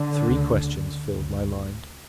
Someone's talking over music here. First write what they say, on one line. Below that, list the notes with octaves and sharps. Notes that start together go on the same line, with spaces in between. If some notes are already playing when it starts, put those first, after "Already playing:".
Three questions filled my mind.
Already playing: D3
D2 C#3
D2 C#3